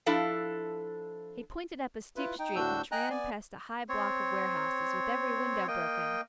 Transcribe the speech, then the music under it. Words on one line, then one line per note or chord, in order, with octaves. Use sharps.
He pointed up a steep street which ran past a high block of warehouses with every window broken.
F3 D4 E4 A4 F5
E4 F4 B4
D#4 G5
D2 A2 D4 F#4 E6 G6
D#5 G5 G#5 A#5 F#6
B3 D5 G#5
C4 C#5
A#3 D#5 G5